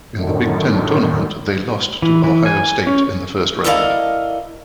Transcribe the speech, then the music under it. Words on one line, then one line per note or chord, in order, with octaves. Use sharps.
In the Big Ten Tournament they lost to Ohio State in the first round.
F#2 A2 D3 D#3
E3
E3
G#5
C#4
E4 A4 A#4 D5 D#5 F5